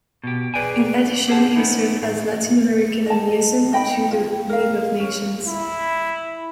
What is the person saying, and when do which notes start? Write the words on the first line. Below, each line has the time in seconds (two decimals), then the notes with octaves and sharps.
In addition, he served as Latin American Liaison to the League of Nations.
0.24 B2 G4
0.54 G#4 B4 D5 G5 G#5
1.28 C4 G4 G#4 C5 F#5 A5
1.56 B3 C#4 D#4 E4
2.02 A2
3.06 D#5 A5
3.72 D#4 D#5 G5 B5
4.11 F4
4.49 A#4 F5
4.99 C#4
5.48 E4